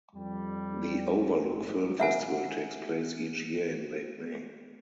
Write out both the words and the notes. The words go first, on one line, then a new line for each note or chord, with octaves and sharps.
The Overlook Film Festival takes place each year in late May.
F2 G3
A#1 G#2 C4
E5 F#5 G#5